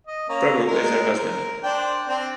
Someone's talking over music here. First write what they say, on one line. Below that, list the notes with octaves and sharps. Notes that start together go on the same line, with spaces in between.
Prabhu is her husband.
D#5
A#3 C#4 A#5
G#3 A#4
A#4
D4 C5 G5
C4 D4